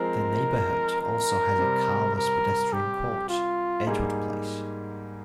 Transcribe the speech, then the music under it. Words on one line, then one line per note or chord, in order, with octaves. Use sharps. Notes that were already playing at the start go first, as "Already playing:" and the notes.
The neighborhood also has a carless pedestrian court, Edgewood Place.
Already playing: F3 G#3 C4 A#4
A#4
C3 G3 C4
A#4
G4
F4
G#2 G3 A#3 D#4 G#4